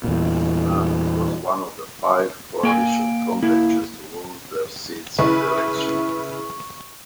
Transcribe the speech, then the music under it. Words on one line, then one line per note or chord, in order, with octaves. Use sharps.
Nairn was one of five Coalition frontbenchers to lose their seats at the election.
E2 A#2
A#3 G5 G#5
A#3 E4
C#3 E4 B4 C#6